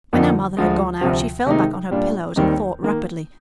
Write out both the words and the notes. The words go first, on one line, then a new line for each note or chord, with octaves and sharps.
When her mother had gone out she fell back on her pillows and thought rapidly.
F2 D3 F3 A#3 D#4
D2 D3 F3 G#3
D2 C3 F3
C3 D#3 G#3 D#4
A#2 G3 D4 F4
D#2 D#3 G3 C4 D#4
D#3 A#3